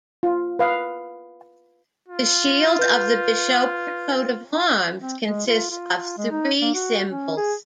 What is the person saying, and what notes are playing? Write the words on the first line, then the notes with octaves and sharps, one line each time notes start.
The shield of the bishopric coat of arms consists of three symbols.
F4
B4 F5 D#6
F4
B4 G6
C4
G#3
F4
F4
G#3
D#4
A#3
F#4
C#4
G#4